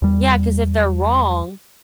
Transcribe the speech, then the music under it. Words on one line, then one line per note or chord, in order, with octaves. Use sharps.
Yeah, 'cause if they're wrong
E2 G3